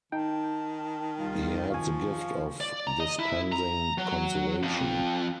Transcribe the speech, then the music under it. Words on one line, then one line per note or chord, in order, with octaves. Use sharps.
He had the gift of dispensing consolation.
D#3 D#4 G5 A5
C2 G3 F4
D#3 F3 F5 G#5 C#6
D5
A#5
D#5
E4
A#5
F#3
F2